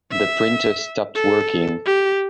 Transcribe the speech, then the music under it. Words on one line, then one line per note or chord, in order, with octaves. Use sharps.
The printer stopped working.
E5
A4
G4